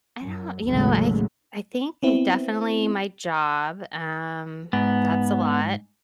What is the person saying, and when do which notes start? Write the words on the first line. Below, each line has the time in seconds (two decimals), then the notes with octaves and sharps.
I don't you know, I c I think definitely my job, um, that's a lot.
0.23 F#2
0.65 A1 D#2 C#3 F#3 G#3 A3
2.03 B3 C4 E4
4.73 G#2 B3